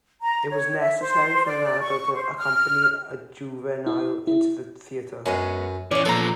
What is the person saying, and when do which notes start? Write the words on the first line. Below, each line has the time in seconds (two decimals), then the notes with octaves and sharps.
It was necessary for an adult to accompany a juvenile into the theater.
0.22 A#5
0.51 C#5
0.80 E5
1.02 C5
1.46 D5
1.82 C#6
2.15 C5
2.37 F6
3.87 E4
4.27 E4
5.26 F#2 G#3 B3 C#4
5.91 E3 C#4 C#5 D5
6.05 A#2 F3 B3 A4 A#5